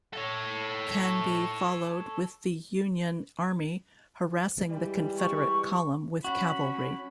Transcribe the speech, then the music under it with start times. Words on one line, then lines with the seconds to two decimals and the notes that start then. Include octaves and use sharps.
Canby followed with the Union army, harassing the Confederate column with cavalry.
0.13 A4 C#5
4.64 E3 G3 G#3
5.19 C#6
6.25 C#4 F#4 B5